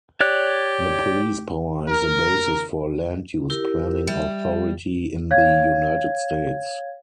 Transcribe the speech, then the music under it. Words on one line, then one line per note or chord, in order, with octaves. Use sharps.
The police power is the basis for land-use planning authority in the United States.
G4 C#5 D5 F#6
A#4
E4 G4 A#4
G3 E5
C#5 F5 G#6